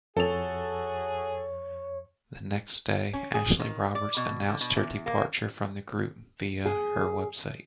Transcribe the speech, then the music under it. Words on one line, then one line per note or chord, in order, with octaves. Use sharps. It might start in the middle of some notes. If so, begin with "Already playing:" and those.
The next day, Ashley Roberts announced her departure from the group via her website.
F2 F#4 G#4 A4 C#5 F7
C#4
G#4
D#3
D5
B2
D3
B2
E2
A#3
G#4